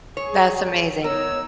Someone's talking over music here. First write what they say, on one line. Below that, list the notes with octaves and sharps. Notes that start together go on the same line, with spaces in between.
That's amazing.
G#4 C#5
B3 D#4 A#4 C#5 E6